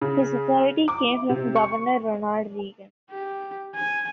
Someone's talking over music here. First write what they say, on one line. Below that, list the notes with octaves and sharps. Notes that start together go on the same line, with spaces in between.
His authority came from Governor Ronald Reagan.
C#3
D6
C3
C#6
G4
G#5